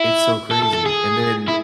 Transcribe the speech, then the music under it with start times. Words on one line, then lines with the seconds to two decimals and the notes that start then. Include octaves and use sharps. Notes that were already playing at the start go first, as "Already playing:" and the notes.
It's so crazy, and then
Already playing: E4
0.51 A4
0.62 A4
0.73 A4
0.86 G#4
1.48 E4